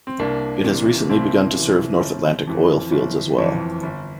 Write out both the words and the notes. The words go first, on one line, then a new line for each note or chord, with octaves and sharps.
It has recently begun to serve North Atlantic oil fields as well.
C4
C2 A#3 D4
C3 E3
C2 C4 E4
C3 E3
G1
F2 E3
G1
F2 E3
G1